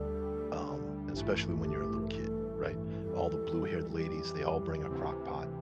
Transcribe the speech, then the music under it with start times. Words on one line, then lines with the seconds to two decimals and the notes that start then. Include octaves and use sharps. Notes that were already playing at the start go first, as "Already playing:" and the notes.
um, especially when you're a little kid right? All the blue-haired ladies, they all bring a crock pot.
Already playing: D2 D3 G3 D4 A4
1.13 A1 G2 E3 A3 G4
1.23 F4
1.34 E4
1.44 F4
1.60 G4
2.01 A#4
2.07 A4
3.01 F2 E3 G3 A4
3.90 A4
3.95 G4
4.89 D2 C3 E3